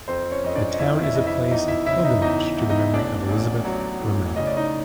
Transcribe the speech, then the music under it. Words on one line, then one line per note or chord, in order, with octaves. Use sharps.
The town is a place of pilgrimage to the memory of Elizabeth Romanov.
F2 C4 C5
C#4 C#5
F2 D#5
D4 D5
D#5
F2 E4 E5
E4 E5
F2 D#5
E4 E5
E2 D#4 D#5
E4 E5
C#3 E4 E5
D#4 D#5
E2 D#4 D#5
E2
D#4 D#5
A1 D4 D5
A1
F#3
A2
C#3 D#5
D5
D#4 D#5